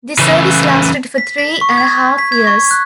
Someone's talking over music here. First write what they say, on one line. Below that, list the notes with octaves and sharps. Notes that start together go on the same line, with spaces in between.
This service lasted for three and a half years.
C#3 E3
B6
B6
C#6
G#6
B6
G#6
C#6
F#6